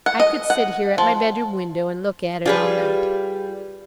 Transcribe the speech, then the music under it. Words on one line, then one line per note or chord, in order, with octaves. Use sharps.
I could sit here at my bedroom window and look at it all night.
F#5
D#5
F#5
F3
G3 F4 G#4 B4